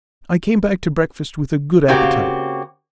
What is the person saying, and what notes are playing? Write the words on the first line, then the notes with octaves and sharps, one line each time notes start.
I came back to breakfast with a good appetite.
C#3 A#3 C4 F#4 G4